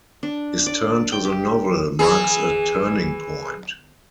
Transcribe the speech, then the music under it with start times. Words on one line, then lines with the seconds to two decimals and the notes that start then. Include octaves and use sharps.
His turn to the novel marks a turning point.
0.23 D4
0.66 D5
1.12 G5
1.25 G4
1.99 E3 G#4